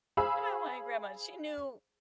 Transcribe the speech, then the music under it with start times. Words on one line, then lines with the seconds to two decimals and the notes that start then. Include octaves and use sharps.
and my Hawaiian grandma, she knew
0.17 G#4 C5 F5 B5 E6